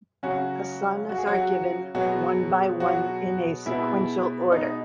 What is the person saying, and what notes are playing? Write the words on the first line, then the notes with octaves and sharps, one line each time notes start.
Asanas are given, one by one in a sequential order.
C#3 F#3 C#4 F#4
F#4
G#4
F#3 F#4
B2 F#3 G#3 B3 F#4
F#3 F#4
B2 G#3 B3 E4
D#4